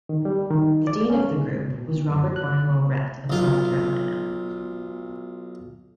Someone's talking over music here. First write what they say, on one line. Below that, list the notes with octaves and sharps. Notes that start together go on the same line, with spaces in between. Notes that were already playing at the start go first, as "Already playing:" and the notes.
The dean of the group was Robert Barnwell Rhett of South Carolina.
D#3
G3
D#3
D5
C#4
G#3
B2
F#2
F#6
B1 F4